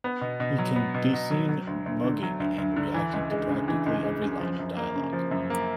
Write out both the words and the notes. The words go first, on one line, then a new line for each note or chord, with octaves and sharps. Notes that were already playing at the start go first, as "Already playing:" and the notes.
He can be seen mugging and reacting to practically every line of dialogue.
B3
B2
B2
F#3
B3
B2
B2
F#3
F#3
D2
D2
D3
F#3
D2
D2
D3
E3
C#2
G#3
C#3
E3
C#2
G#3
C#3
F3
F#2
A#3
C#3
F3
F#2
A#3